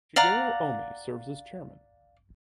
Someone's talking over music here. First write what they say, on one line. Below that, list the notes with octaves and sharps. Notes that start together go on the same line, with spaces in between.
Shigeru Omi serves as chairman.
D5 F5 F#5 A#5